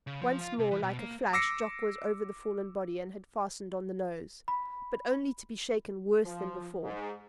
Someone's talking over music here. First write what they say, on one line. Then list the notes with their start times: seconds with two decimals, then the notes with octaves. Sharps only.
Once more like a flash Jock was over the fallen body and had fastened on the nose--but only to be shaken worse than before.
0.07 C#3
0.22 F3
0.41 F4
0.59 C3
0.71 E3
0.82 B2
0.99 A#3
1.33 D6 E6 A#6 C7 C#7
4.48 B5
6.25 F3
6.84 G#2